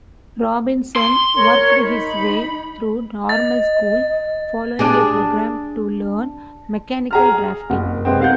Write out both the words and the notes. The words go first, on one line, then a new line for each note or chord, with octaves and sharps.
Robinson worked his way through normal school, following a program to learn mechanical drafting.
C6
A#4 C#5
D#4 B5
D#5 A6
D4 G4 G#4
G#4 A#5 F6
F#1
C3 G#3 B3 C4
A#4 F5 F#5 G6